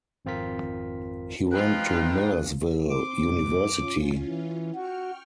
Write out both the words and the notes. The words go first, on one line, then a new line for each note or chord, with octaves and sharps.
He went to Millersville University.
G#1 F2 C4 F4 A#4 B6
F3 D#4 F4 B4 G5 F#6
C4 C6 D6
F#2 B2
C#4 F4
E3
F#4 G5 C#6 F6